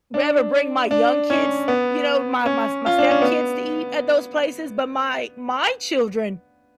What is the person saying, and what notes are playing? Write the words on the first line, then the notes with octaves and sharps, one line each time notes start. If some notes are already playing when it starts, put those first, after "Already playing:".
rather bring my young kids, you know, my my s my step kids to eat at those places, but my my children,
D4
D4
C#4
B3
C#4
F4
D4
C#4
B3